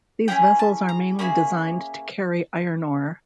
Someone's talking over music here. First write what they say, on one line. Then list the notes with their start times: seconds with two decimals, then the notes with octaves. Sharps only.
These vessels are mainly designed to carry iron ore.
0.28 A#3 C#4 E4 G#4 G5
0.59 A5
0.89 A#5
1.19 A#3 C#4 E4 G#4 B5